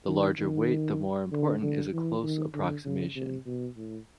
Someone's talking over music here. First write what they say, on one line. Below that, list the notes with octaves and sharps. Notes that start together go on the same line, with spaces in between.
The larger weight, the more important is a close approximation.
D#3
D#3
D3
D3
E3
D#3
D3
C#3
C3
B2
A2